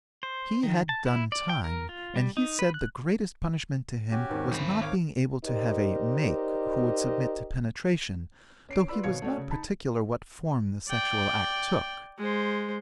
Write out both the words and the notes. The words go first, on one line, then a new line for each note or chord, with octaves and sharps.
He had 'done time' and he said the greatest punishment to him was not being able to have a 'make' who would submit to penetration, though he was not particular what form the sexual act took.
C5
D#3
A5
E4
D5
G5
A#4
F4
G3
D#4
B4
F#6
C#4 F#4 G4
G#1 D#2 G#2
D#3 B5
C#5 F5 D6
D#4 G4 A#4 C5 D5 D#5
C#4 C7 D7
F4 B4 D5 B5 E6
G#1 B2 C#5 F5 G#6 C#7
A3 F#4 C#5 D5
C#3
D#4 A5 B5
D5 G5
G#3 C5